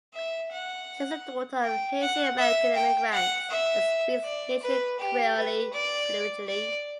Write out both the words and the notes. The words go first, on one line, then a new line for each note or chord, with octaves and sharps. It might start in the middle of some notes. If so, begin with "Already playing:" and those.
She is the daughter of Haitian American immigrants and speaks Haitian Creole fluently.
E5
F#5
G5
F#5
E5
G5
F#5
E5
D5
B4
G4
B4
D5
D5